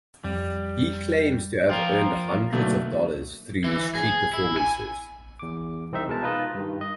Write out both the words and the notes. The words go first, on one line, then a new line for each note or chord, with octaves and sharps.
He claims to have earned hundreds of dollars through his street performances.
F2 G3
F3 F4 A#4 G5
B1 D3 A3 A#3 F#4
E3
G#4
E4
G#5
E2 D6
C2 C4 D#4 E5
B2 G#3 A#4 A5
D#4 F4 B4 D#5
G2 D#3
D#5